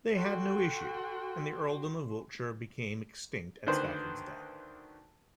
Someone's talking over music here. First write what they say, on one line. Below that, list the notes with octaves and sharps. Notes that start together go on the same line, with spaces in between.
They had no issue, and the earldom of Wiltshire became extinct at Stafford's death.
F#4 A4 G5 C6
D2 D3 D#3 B4 C5